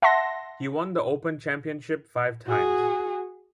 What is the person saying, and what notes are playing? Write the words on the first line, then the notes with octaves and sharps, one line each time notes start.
He won The Open Championship five times.
E5 F#5 A5 C6 A#6
F#4 G#4